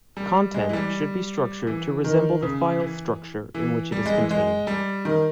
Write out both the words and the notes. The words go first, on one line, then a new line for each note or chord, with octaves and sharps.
Content should be structured to resemble the file structure in which it is contained.
G3
G#3
E3
G3
E3
D#3
C#3
E3
E3
G3
G#3
E3
G#3
G3
D#3